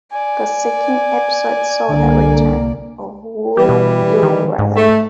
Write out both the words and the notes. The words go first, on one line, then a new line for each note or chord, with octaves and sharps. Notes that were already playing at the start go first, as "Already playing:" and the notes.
The second episode saw the return of Would You Rather?
D5 G#5
C2 D3 A#3 D5
E3 G3 G4
B2
D#3
G#2
A3